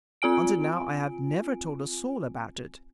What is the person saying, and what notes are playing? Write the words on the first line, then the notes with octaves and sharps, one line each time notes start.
Until now I have never told a soul about it.
C4 F4 G#5 D7